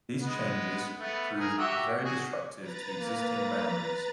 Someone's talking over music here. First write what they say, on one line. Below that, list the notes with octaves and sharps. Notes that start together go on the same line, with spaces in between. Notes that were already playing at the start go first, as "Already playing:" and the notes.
These changes proved very disruptive to existing boundaries.
G#3 B3
A3 B3 B4
G#4 A#4
F#4 G4 E5
F#4 G#4
B4 A#5 A6
A#3